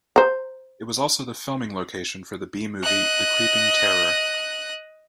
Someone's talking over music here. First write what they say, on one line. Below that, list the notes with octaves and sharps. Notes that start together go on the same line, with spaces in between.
It was also the filming location for the B-movie "The Creeping Terror".
C5 A#5
D#5 F#6